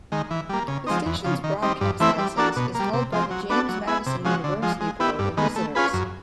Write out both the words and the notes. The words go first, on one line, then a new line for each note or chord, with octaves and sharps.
The station's broadcast license is held by the James Madison University Board of Visitors.
D#3 G#3
E3
G3 A#3
C#3
F3 G#3 C4 D#4
E2
C#3 F3
D#3
G3 C4 D#4
G2
E3 A3 C4 E4
G3
A#3 D4 F#4 A4
B2
A#3
G3
C3
F3 G#3 C4
F#3
B3 D4 F#4 A4
F#3
B3 E4 G#4
C3
F3 G#3 C#4 F#4
D3
F3 G#3
G#3
B3 E4 G4
G2
D#3 G#3 B3
A3
C#4 F4 G#4 B4
F#2